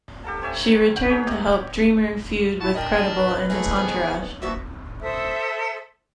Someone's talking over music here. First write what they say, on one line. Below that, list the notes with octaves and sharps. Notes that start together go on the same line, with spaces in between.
She returned to help Dreamer feud with Credible and his entourage.
G4 A4 A#4 A5
C4 C#5 E5 G#5
F#5 G5
B3 D#4 G#4 C#5
G4 D#5 E5
E4 F#4 A5
D4 A#4 D#5 G5
B4
A3 A#3 E4 G#4
F2 D#3 B3 C#5
G2 F3 A#3 F#4 E5
A4 C5 E5 D#6